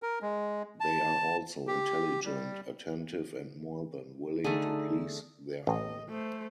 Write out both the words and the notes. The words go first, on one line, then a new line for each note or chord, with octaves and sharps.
They are also intelligent, attentive and more than willing to please their owner.
A#4
G#3
A5
G4
G3
D3 A3 D#4 G#4
A1 D#5
A3 C5